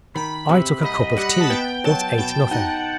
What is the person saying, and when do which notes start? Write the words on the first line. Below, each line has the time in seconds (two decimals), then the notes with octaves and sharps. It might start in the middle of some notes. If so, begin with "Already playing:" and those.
I took a cup of tea, but ate nothing.
0.15 D#3 B5
0.49 C3
0.83 C2 D#5
1.17 G3 F#5
1.29 B5
1.40 A5
1.50 B3 G5
1.84 F#3 A5
2.18 B2 G5
2.51 D#4 F#5